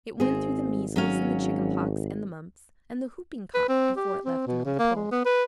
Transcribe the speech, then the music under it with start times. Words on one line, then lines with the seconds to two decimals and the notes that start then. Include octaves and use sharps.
It went through the measles, and the chicken-pox, and the mumps, and the whooping-cough, before it left the North Pole.
0.20 G#1 C4 G#4
0.96 F#3 C#4 F5
3.54 B4
3.68 C4
3.97 G4
4.25 C4
4.47 B2
4.65 C#3
4.79 A#3
4.96 G#3
5.11 B3
5.25 B4